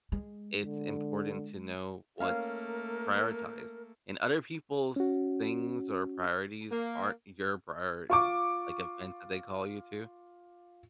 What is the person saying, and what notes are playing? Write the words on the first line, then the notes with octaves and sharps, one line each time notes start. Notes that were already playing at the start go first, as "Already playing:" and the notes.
it's important to know what's prioritized. And other people's things or priorities aren't your priority, like, events that they call you to.
G#3
D3
A3 A#3 C#4 A#4 F5
C#4 F#4
A#3
F4 C#6 D6